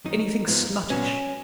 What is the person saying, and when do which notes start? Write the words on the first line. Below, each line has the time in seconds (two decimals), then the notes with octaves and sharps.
Anything sluttish?
0.05 F#2 D#3 F#3 D#4
0.48 G#2 F3 B3
0.90 A#2 F#3 B3 C#4